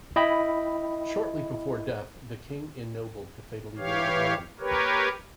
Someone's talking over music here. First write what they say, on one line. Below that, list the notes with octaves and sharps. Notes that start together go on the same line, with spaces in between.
Shortly before death the King ennobled the fatally wounded man.
E4 D#5 G5 B5
E3 G4 C#5 F5
G4 A#4 B4 C#5